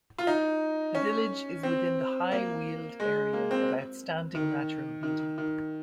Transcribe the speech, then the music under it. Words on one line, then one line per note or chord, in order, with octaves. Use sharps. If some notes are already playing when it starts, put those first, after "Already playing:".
The village is within the High Weald Area of Outstanding Natural Beauty.
F4
D#4
C#4
C4
A#3
G#3
A#3
C4
D#3
D#3
D#3